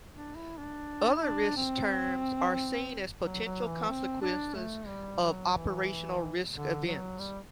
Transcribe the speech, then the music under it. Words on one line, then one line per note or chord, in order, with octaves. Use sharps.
Other risk terms are seen as potential consequences of operational risk events.
D4
E4
D4
E4
D4
C4
F#3
F#3
E3
C4
D4
A3
G3
F#3
E3
D3
F#3
G3